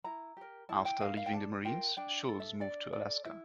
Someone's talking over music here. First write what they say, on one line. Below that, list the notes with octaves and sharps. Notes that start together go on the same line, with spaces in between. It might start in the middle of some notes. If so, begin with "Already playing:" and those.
After leaving the Marines, Schulz moved to Alaska.
E4 A#5
G4 A#4
E4 A5
G5
A#4 F5
F5
G5
D4 A5
F4 A#4 G5
D4 G5
A4
E5
D4 D5
A4 D5
E4 E5